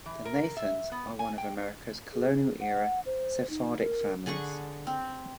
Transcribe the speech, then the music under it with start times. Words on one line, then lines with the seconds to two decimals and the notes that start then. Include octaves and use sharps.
The Nathans are one of America's colonial-era Sephardic families.
0.06 E3
0.25 A#4
0.57 E5
0.92 B3
1.19 G#5
1.38 G5
2.13 G#4
2.60 F#5
3.06 C5
3.50 D#4
3.80 A#4
4.26 D3 G#4 F#5 C#6
4.87 C4